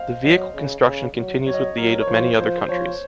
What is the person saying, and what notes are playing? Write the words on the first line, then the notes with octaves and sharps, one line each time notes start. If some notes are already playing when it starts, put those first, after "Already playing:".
The vehicle construction continues with the aid of many other countries.
Already playing: C5 D#5 F5
F#3 D#5
C#3
C#3
F#3
F#3 C#5
D#5
C#5
F#3 A#4
C#5
F3 C5
F3 C5
C5
F3 C#5